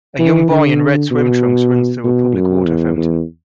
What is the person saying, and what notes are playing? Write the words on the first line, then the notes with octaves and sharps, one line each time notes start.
A young boy in red swim trunks runs through a public water fountain.
E3
D3
B2
B2
F#2
E2
E2